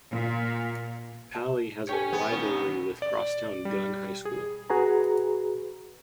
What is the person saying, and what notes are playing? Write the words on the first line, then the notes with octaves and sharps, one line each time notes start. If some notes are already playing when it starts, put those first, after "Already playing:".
Paly has a rivalry with crosstown Gunn High School.
A#2
A5
G4 A4 C#5 G#5
B3
D#3 C#4
D5
G3
G#4
F#4 G#4 B4 A#5